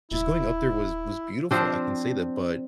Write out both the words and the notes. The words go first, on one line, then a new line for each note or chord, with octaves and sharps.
just going up there was was beautiful. I can say that, but
D#1 E4
F3 C4 D4